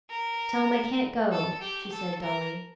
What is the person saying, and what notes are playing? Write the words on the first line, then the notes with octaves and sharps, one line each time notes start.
"Tell him I can't go," she said dully.
A#4
A4
G4
A4
A#4